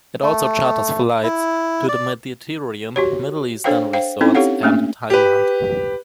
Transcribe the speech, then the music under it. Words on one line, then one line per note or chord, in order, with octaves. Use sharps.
It also charters flights to the Mediterranean, Middle Eastern resorts and Thailand.
A3
E4
D5
F#4 G4 C#5
D4 A4 C5 C#5 F5 G5
C5 F5 G5
C4 C#4 D#4 E4 A4
G4 A4 C#5 F5 F#5
A3 A#3 C#4 D4
G4 B4